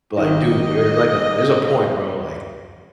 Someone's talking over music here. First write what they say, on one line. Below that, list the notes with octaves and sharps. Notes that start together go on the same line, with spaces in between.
But, like, dude, there's like a there's a point, bro, like,
G#1 D#3 D#5